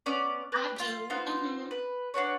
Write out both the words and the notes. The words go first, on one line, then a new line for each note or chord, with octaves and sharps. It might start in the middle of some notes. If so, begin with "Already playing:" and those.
I do, mhm.
B3 C#4 D5
G4 B4
F4 G4
B3 D#4 F4 C5
B4
D4 F#4 B4 C#5